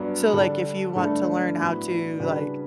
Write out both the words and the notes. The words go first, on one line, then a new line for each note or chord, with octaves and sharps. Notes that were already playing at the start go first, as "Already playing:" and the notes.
so, like, if you want to learn how to, like,
Already playing: G2 F#3 B3 D4
D3 G3 D4 A4
G2 D3 A3 D4 A4
A2 F#3 B3 E4 B4
C#3 G3 D4 F#4 B4